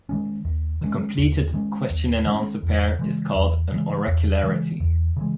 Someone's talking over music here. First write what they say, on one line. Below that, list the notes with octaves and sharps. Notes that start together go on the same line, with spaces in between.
A completed question-and-answer pair is called an "Oracularity".
D#3 G#3 C#4
D#2
D#3 G#3 C#4
D#2
D#3 G#3 C#4
D#2
D#3 G#3 C#4
E2
C#3 E3 G#3
E2
C#3 E3 G#3
E2
C#3 E3 G#3
E2
C#3 E3 G#3